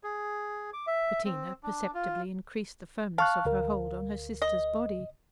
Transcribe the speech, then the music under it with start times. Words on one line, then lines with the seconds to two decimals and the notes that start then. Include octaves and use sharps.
Bettina perceptibly increased the firmness of her hold on her sister's body.
0.03 G#4
0.73 D6
0.87 E5
1.25 C4
1.63 D4
1.94 F4
3.18 F5 A5 C#6 F#6
3.45 D2 A#4
4.42 D#5